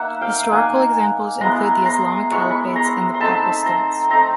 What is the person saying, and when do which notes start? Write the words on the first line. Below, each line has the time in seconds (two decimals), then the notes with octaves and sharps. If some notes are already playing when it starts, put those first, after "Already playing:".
Historical examples include the Islamic Caliphates and the Papal States.
Already playing: A#3 D#4 E5 F#5
0.21 F5 G5
0.51 A#3 D#4 F#5 G#5
1.41 G#3 B3 E4 A#5 C6
1.85 A#5 C6
2.31 G#3 B3 E4 C#6
2.50 B5 C#6
2.76 A#5 C6
3.14 C6
3.20 A3 C4 D#4 A5 B5
3.65 A#5 C6
4.10 A3 C4 D#4 A#5 C6